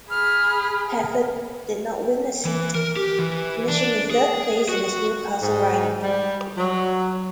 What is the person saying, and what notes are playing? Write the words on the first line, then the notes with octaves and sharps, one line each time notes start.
Pafford did not win a seat, finishing in third place in his Newcastle riding.
G#4 B5 F6
E3
A#4
G4
E3
D4
G#4
F#4
G#2
G3
F#3